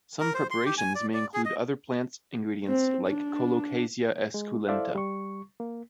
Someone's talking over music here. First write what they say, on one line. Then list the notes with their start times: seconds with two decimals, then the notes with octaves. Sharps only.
Some preparations may include other plant ingredients like "Colocasia esculenta".
0.20 A#4
0.34 C5
0.51 C6
0.65 G4
0.78 G#5
0.95 D5
1.13 D5
1.34 G#4
1.45 D#5
2.68 C4
3.08 D4
4.34 G#3
4.68 E4 A4 C5 D5 E5 F5
4.95 G3 C#6
5.60 A#3